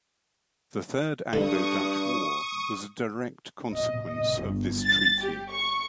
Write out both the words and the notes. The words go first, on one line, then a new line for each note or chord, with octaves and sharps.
The Third Anglo-Dutch War was a direct consequence of this treaty.
G2 D3 C#6 D#6
D#5
D#5
G1
A6
G4
C#6